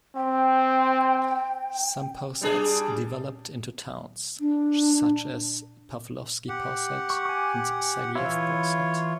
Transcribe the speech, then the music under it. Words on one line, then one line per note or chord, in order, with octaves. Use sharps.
Some posads developed into towns, such as Pavlovsky Posad and Sergiev Posad.
C4 G5
G3 D4 G#4
D4
G4 F#5
C#6
G#5 D6
E3 E4 F4 C#5